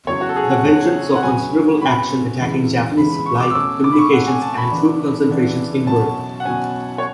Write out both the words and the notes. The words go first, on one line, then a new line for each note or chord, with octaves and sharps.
The Vengeance saw considerable action attacking Japanese supply, communications and troop concentrations in Burma.
E2 C#3 F#3 C#5
F#4
A4
G#4
F#5
E2 C#3 F#3 F#5
F#5
C#3 F#3 B3 G#5
C#3 F#3 B3 B5
E2 C#3 E3 G#3
E2 C#3 E3 G#3 B5
B5
C#6
D6
E6
B2 A3 C#4 D6
D6
B5
C#6
B2 A3 C#4 F#5
G#5
A5
B5
C#3 E3 B3 D4
C#3 E3 B3 D4
B2 F#3 C#4 A5
F#5
B2 F#3 C#4 G#5
C#5